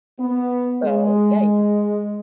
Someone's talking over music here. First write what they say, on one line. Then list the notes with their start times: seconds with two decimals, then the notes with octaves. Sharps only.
so, yeah, you could
0.20 B3
0.84 G#3